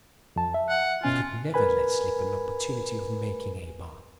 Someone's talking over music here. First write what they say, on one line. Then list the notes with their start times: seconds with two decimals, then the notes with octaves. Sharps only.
He could never let slip an opportunity of making a bargain.
0.36 F2 A5
0.54 E5
0.69 F#5
1.04 B2 C#4 F4 G#5
1.54 A#4 B4 G#5 B5